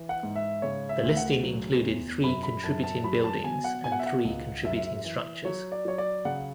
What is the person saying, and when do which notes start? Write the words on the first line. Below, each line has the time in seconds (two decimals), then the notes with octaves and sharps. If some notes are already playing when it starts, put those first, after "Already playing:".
The listing included three contributing buildings and three contributing structures.
Already playing: E3
0.09 F#5
0.23 G#2
0.36 E5
0.62 C#3 C#5
0.89 E5
1.03 D2
1.17 F#5
1.43 F#3
1.83 E2
2.23 F#2 B5
2.43 B5
2.64 F#2 A5
2.83 A5
3.04 F#3 B5
3.24 A5
3.44 B2 G#5
3.64 F#5
3.84 B2 G#5
3.92 F#5
3.99 E5
4.06 F#5
4.25 C#2
4.65 F#2 E5
5.05 E3
5.45 F#3 C#5
5.72 D5
5.85 F#3 C#5
5.98 D5
6.25 C#3 F#5